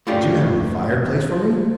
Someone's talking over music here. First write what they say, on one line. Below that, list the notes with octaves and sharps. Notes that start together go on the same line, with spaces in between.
"Would you have a fireplace for me?"
A3 A#3 C#4 D4 F4 G4